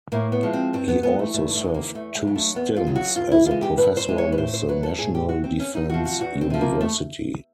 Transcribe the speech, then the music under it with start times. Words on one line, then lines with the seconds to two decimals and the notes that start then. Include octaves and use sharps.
He also served two stints as a professor with the National Defense University.
0.12 A2 A#3
0.32 B3
0.43 F3 G#3
0.53 C4
0.73 G2 C4
0.88 B3
1.03 E3 G#3 B3
1.19 A3
1.34 G2 A3
1.55 A3
1.65 E3 G#3
1.74 A#3
1.95 E2 A3
2.15 G#3
2.25 C#3 F#3
2.36 A3
2.55 E2 B3
2.76 F4
2.87 C#3 F#3
2.96 F#4
3.16 G2 F4
3.32 E4
3.46 E3 G#3 F4
3.62 G4
3.78 G2 B4
3.97 C5
4.08 E3 G#3
4.18 C#5
4.32 B4
4.38 A2 C5
4.54 C5
4.69 F#3 B4
4.83 A4
4.99 A2 G#4
5.15 G4
5.29 F#3 F#4
5.44 C4
5.60 E2 C#4
5.75 D#4
5.90 C3 F3 F#4
6.05 F#4
6.20 E2 F#4
6.41 C4
6.50 C3 F3
6.61 A#3
6.81 A3